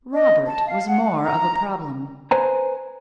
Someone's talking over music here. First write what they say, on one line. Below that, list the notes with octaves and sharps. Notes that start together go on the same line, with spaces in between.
Robert was more of a problem.
D#5
A5
F5
F#5
A#5
B4 C5 G#5 A#5